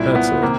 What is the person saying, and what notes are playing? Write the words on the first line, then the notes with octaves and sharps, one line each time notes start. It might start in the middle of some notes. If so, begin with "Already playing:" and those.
That's it.
Already playing: C2 A#2 E4
B3
C3 D#3 A#3